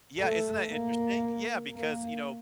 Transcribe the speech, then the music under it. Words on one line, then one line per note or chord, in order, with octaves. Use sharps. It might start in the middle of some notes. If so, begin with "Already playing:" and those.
Yeah, isn't that interesting? Yeah, because, you know,
A3
A#3
A#3